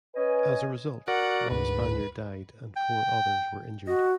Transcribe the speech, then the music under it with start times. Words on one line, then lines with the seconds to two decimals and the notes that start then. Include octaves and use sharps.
As a result, one Spaniard died and four others were injured.
0.15 C#4 B4 D#5 G#5
1.08 F#4 A#4 D5 F#5
1.51 D2 G#2 B4
2.76 G5
3.87 F#4 D#5